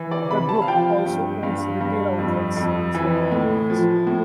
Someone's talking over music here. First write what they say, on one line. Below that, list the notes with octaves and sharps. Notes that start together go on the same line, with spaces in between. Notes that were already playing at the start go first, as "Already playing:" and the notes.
The Group also owns retail outlets in selected countries.
Already playing: E3
D5
C3 B5
A5
F5
F3 G5
G2
G2 F5
G2
F2
F2
E3
A2
F3
A2